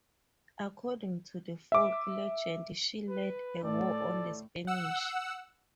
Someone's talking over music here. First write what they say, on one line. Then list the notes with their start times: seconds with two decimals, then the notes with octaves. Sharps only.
According to the folk legend she led a war on the Spanish.
1.72 E5 D6
3.08 B4
3.63 A2 A3 A4 D5
4.67 F#5 E6